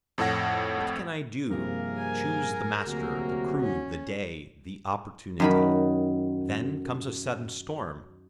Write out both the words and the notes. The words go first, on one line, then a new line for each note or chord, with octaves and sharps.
"What can I do?"--Choose the master, the crew, the day, the opportunity. Then comes a sudden storm.
F2 A2 A4 C#5 F#5 A#6
G2 C3 F3 A#3 G#4 A#4
G#5
D2 C3 F#3 A#3 F#4
C#4
F#2 D#3 B5